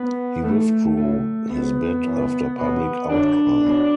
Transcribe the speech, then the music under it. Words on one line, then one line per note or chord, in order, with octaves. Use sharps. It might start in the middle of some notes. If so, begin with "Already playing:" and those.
He withdrew his bid after public outcry.
Already playing: B3
A2 E3 A3
A2 F#3 A3
G#2 F#3 B3
F#2 E3
B2 F#3 B3
F#2 D3 F#3 D4
B2 F#3